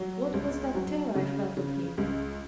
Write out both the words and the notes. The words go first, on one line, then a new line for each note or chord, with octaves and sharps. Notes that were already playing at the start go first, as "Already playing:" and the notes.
What was that terror I felt of him?
Already playing: F#3
C#2
F#3
C#3
C#3
C#2